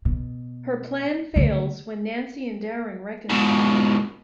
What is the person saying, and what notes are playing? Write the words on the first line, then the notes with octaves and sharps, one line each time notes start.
Her plan fails, when Nancy and Darren reconcile.
B2
D3 A3
G#2 B2